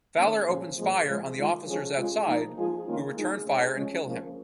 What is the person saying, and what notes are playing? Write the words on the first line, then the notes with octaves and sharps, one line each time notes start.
Fowler opens fire on the officers outside, who return fire and kill him.
D#3 A#3 C#4
A#2 F3 C#4 G#4
A#2 F3 G#3
C#3 F3 G#3
D#3 G#3 F4
F3 C#4 G#4
C#3 G#3 F4 G#4
F3 A#3 D#4
F3 G#3 F4 G#4
D#3 A#3 C#4 F4
G#3 D#4 G#4
C#3 G#3 C#4
F3 G#3 C#4
C#3 F3 A#3 C#4